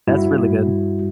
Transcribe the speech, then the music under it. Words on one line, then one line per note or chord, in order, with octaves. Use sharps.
that's really good.
G2 G3 E4 F#4